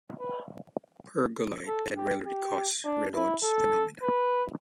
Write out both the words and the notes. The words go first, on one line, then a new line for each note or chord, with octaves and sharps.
Pergolide can rarely cause Raynaud's phenomenon.
B4
A4
G4
G4
D4
E4
A4
B4